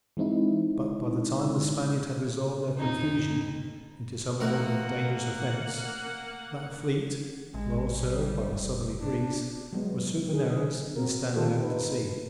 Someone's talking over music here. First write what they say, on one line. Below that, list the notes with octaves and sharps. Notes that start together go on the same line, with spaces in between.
But by the time the Spaniards had resolved their confusion into some order of dangerous offence, that fleet, well served by a southerly breeze, was through the narrows and standing out to sea.
E3 G#3 C4 D#4 E4
F2 D#4
A1 A3 A#3 A#4 F#5
A1 G#3
G3
F1
D4
F#3 G#3 B3
G#4
C4 F#4 A#4
D#3 A#3 F4 G4 A4 C5
D#4 B4